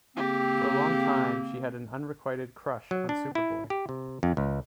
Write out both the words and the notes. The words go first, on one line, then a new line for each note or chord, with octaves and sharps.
For a long time, she had an unrequited crush on Superboy.
C#3 A#3 C4 G4
F#3
D4
E4
G4
C3
F2
C#2